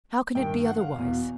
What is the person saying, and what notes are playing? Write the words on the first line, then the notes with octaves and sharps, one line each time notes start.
How can it be otherwise?
G2 D#3 G5
F#5
F5
E2 B2